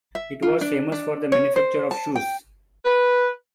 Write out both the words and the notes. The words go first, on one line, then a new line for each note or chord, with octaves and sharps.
It was famous for the manufacture of shoes.
E5
F4
D4
D4
C#5
C5
A5
G5
B4